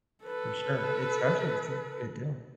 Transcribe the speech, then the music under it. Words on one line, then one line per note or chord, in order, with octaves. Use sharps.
for sure. Especially if it's a good deal.
A4 B4